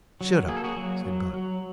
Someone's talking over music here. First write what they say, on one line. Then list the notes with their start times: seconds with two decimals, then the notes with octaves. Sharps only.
"Shut up," said Buck.
0.21 F#3
0.48 A#3 G#4
0.57 A4
0.64 F#4 G#4
0.77 F#3
1.05 F#3
1.33 F#3